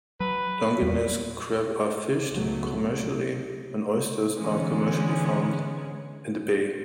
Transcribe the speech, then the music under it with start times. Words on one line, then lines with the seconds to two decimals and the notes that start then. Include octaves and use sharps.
Dungeness crab are fished commercially, and oysters are commercially farmed in the bay.
0.20 F#3 B4
0.82 E2 G3 A#3
2.32 C#2 B2 F#3 A3
4.37 D3 E3 G#3 B3 C#4